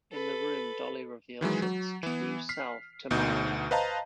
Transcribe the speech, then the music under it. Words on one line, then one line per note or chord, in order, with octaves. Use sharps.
In the room Dolly reveals its true self to Marilyn.
A4 B4
D#3 E3 F#3 G#3
F#3
E3 B3
F6 B6 C7
D2 B2 D#4 G6
B4 C5 D#5 F5 A5 A#5